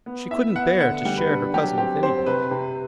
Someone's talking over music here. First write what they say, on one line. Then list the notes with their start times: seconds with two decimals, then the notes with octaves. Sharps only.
She couldn't bear to share her cousin with anybody.
0.06 B3
0.31 E4 E5
0.56 B3 F#5
0.80 D3 F#5
1.05 G3
1.17 B4
1.29 D4
1.54 F#3 G4
1.78 C4 G4
2.03 C4 C5
2.26 C3 B4
2.51 C3